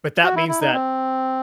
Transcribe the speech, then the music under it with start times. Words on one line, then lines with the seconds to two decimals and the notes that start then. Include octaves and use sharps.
but that means that
0.24 F#4
0.36 E4
0.49 E4
0.61 D#4
0.73 C4